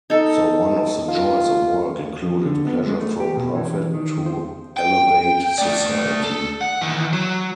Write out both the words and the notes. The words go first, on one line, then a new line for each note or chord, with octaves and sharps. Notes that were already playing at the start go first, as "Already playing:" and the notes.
So one of the joys of work included "pleasure from profit" to elevate society.
D#4 A4
F4
F3
D3
B3
G#3
A3
G4
B2
E3
D#3
C5
G5
A3 D5
A4
F#5
D#3 E3
F#3